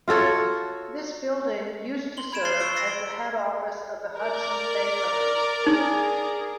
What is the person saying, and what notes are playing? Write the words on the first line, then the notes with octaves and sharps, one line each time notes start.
This building used to serve as the head office of the Hudson's Bay Company.
F4 F#4 A4 C#5
C6 F#7 G7
B5 G#6 D7 E7
C6 F#6 A6 C7 G7
C#6 E6 D7 G7
E6 A6 A#6 C7 D7
A#4 D5
D#4 G#4